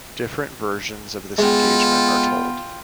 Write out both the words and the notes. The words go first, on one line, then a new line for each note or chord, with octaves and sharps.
Different versions of this engagement are told.
G#3 B3 F4 A4 G5